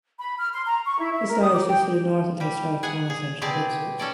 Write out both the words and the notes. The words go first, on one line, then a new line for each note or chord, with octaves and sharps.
This lies just to the north of the historic town centre of Ipswich.
B5
F6
C6
A#5
C#6
E4
E5
A#4
D#6
D6
G5
G3 G4
G#4 F#5 G#5
G#4
B2 C4 G4 G#4 D5 A5
C#4 A4 D5